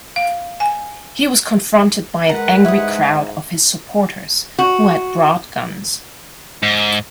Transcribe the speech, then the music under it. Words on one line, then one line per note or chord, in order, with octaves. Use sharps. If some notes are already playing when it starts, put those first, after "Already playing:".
He was confronted by an angry crowd of his supporters, who had brought guns.
F5
G#5
G#3 A#4 B4 F#5 A#5
G#2 E4 D#6
F#4
G#2